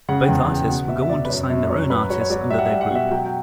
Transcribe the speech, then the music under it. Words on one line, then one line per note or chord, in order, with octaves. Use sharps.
Both artists would go on to sign their own artists under their group.
C#3 F#5
E2 G5
C#3 G5
B2 F#5
B2 E5
E5
B2 D5
B4
F#2 C#5
F#2
F#2 C#5
F#3 B4
F#3 C#5
C#5
F#3 D5
G3 E5
F#5
E5
G3
F#5
B2 E5
F#3 G5
F#5
G5